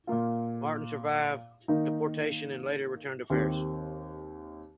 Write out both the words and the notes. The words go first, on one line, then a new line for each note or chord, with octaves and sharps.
Martin survived deportation and later returned to Paris.
A#2 A#3 F4
D#3 A#3 D#4
D#2 D#3 C4 G4